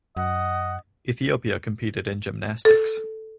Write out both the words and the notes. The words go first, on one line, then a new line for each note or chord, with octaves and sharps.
Ethiopia competed in gymnastics.
F#2 D#5 F#5
A4